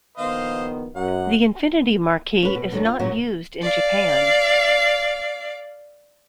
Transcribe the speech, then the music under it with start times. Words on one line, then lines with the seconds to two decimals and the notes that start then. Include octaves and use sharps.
The Infiniti marque is not used in Japan.
0.18 A#1 D#3 B3 C5 D#5 F5
0.96 F#2 F#5
2.42 C#4 B4
2.55 B2
2.72 D3 D#3 F#3
2.85 F4
2.99 A#2 F#3 C#4 F#4
3.62 D5 F5